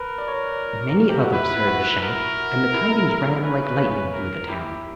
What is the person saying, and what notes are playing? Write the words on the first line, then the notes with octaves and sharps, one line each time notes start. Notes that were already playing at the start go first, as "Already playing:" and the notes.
Many others heard the shout, and the tidings ran like lightning through the town.
Already playing: A#4 B4
D5
C#5
G4
F#4
E4 B4
F#4
A#4
E4
C#4 B4
C#4
A#4
E4 G4